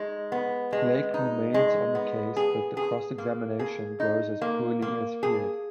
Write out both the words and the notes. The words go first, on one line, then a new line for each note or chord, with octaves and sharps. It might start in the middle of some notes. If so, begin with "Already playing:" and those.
Blake remains on the case, but the cross-examination goes as poorly as feared.
Already playing: G#3 D#4
B3
G#3
D#4
G#3
B3
G#4
G#4
A#3
G#4
D#4
A#3
A#3
G#4